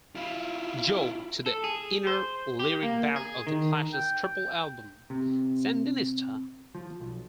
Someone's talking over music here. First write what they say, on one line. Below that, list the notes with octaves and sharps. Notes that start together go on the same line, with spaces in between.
Joe" to the inner lyric bag of the Clash's triple album "Sandinista!
E4 F4
A4
G#4
C5
G4
A#3
G#4
D#3
G5
C3
F3
B1